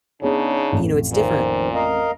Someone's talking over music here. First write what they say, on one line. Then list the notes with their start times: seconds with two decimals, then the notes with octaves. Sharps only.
you know, it's different
0.22 C#3 B3 D4 D#4 G#4 C#5
0.72 A1 F2
1.13 A#2 D#3 F3
1.75 A#4 D#5 F5